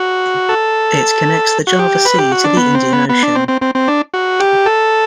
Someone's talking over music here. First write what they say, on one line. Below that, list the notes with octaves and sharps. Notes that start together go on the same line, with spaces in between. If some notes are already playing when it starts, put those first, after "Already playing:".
It connects the Java Sea to the Indian Ocean.
Already playing: F#4
A4
F#4
G4
B4
G4
F#4
D4
B3
C4
B3
B3
D4
C4
C4
C4
C4
D4
F#4
G4
A4